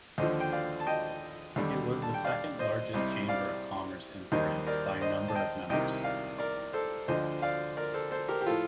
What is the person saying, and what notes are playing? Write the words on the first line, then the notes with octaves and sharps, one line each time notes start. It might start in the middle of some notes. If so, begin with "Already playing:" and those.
It was the second largest Chamber of Commerce in France by number of members.
D#2 D3 F3 C5 D#5
G5
D5 F5
A5
D#5 G5
D#2 D3 G3
A5
G5
D5 F5
C5 D#5
C2 C3 G3 C5 D#5
D5 F5
D#2 D#3 G3 C5 D#5
A#4 D5
C5 D#5
A5
D#5 G5
C2 C3 D#3 D#5 G5
D5 F5
A#4 D5
A4 C5
D2 D3 F3 C5 D#5
D5 F5
A#4 D5
A4 C5
A4 C5
G4 A#4
G4
A2 F3 F4 A4